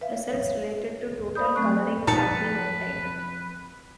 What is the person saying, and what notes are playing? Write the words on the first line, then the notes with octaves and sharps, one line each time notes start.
Results related to total coloring have been obtained.
B4 E5 F5
C#5
C5 D5 B5 D#6 G6
F#3 A3 C4 C#6 F#6
F2 A#2 D#4 B4 A5 C#7